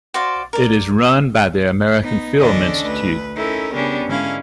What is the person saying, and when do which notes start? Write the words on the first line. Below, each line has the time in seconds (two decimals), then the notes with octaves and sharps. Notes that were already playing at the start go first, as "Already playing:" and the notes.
It is run by the American Film Institute.
0.14 F#4 C5 D5 F5
0.53 A#4 D5
2.01 B3 D#4
2.39 E2 D3 C#4 D4 D5 D#5
2.86 D2 B4
3.36 C#4 D#4 E4 A4 A#4
3.74 C#3 G3 B3 C#4 D4
4.06 G#2 D3 C#4 E4 F5